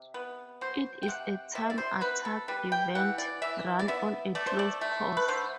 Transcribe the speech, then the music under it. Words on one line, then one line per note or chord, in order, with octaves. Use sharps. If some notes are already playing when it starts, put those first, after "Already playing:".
It is a time attack event run on a closed course.
Already playing: C3
B3
F#3 C5
G5
C3 F#5
C3 E5
D5
C5
B3 B4
A4
G3 B4
G5
E3 F#5
D5
E3 E5
D5
B3 E5
A3 D5
C5
D5
A3
B4
D3 C5